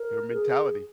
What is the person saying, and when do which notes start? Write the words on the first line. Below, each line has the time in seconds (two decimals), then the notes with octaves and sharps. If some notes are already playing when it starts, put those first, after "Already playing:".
Your mentality.
Already playing: A#4
0.33 G#4